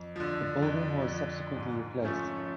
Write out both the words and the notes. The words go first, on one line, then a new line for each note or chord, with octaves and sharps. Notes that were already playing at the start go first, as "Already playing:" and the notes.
The building was subsequently replaced.
Already playing: F2
D3 F3
F2
D3 F3
G#2
F3 A3 C#4